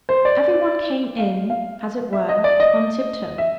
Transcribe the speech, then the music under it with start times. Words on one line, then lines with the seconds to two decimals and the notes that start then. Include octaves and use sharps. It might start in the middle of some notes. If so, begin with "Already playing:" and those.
Every one came in, as it were, on tiptoe.
0.09 C5
0.25 D5
1.19 F5
1.50 F5
2.13 E5
2.29 D#5
2.44 D5
2.60 D#5
3.38 E5